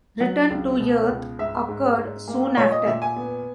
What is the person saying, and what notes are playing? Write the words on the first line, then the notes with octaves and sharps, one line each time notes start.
Return to Earth occurred soon after.
F#3 F#5
C#2
B2
C#2
G#2 E5
G#2
G#2
A#3
A#2 C#5
D#5
A#2 E5
G#5
B3